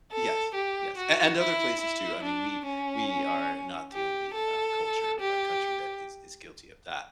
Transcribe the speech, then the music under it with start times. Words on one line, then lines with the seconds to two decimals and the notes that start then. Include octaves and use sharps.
Yes. Yes. A and other places too. I mean, we we are not the only, uh, culture, a country that is is guilty of that,
0.12 A4
0.54 G4
0.96 F#4
1.39 E4
1.80 E4
2.23 D4
2.65 C#4
3.92 G4
4.35 A4
5.20 G4